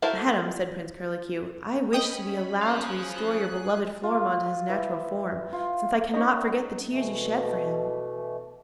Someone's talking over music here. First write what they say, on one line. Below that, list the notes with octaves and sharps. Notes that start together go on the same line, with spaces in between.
'Madam,' said Prince Curlicue, 'I wish to be allowed to restore your beloved Florimond to his natural form, since I cannot forget the tears you shed for him.'
E4 F#4 A4 A#4 C5
C#4 D#5 G5 B5 D#6
G#4 C5 F5 F#6
F4
E3 E5
F4
C#4 D#4 A#4 D#5
B2 E3 A3